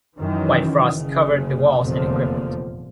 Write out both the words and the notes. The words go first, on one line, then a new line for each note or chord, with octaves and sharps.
White frost covered the walls and equipment.
F#2 D#3 E3
F#1 C#3
F1 E2 A#2 D3 F3